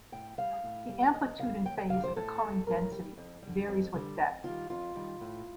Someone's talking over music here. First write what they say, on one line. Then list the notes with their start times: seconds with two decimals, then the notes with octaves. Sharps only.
The amplitude and phase of the current density varies with depth.
0.12 A2 G5
0.38 G3 F5
0.64 A2
0.89 G3
1.14 D#2 D#5
1.39 D3 G3 F5
1.65 D#2 G5
1.77 G5
1.90 D3 G3 F5
2.04 C5
2.16 A2 A4
2.42 G3
2.67 A2 A#4
2.92 G3
3.18 F2
3.42 D3 G3
3.68 F2
3.94 D3 G3
4.19 F2
4.44 D#3 G3 F4
4.70 F2 F4
4.95 D#3 G3
5.21 A2